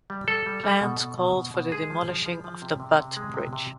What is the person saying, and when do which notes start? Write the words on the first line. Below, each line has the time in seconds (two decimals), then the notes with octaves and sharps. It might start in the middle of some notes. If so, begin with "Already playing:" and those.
Plans called for the demolishing of the Butt Bridge.
0.10 G3
0.28 G3 A4
0.46 G3
0.64 G3
0.82 B2
1.00 B2
1.18 B2
1.36 B2
1.54 B2
1.72 G#3 G#4
1.90 F3
2.08 F3
2.26 F3
2.44 F3
2.62 C3
2.80 C3
2.99 C3
3.17 G#3
3.34 C3
3.53 C3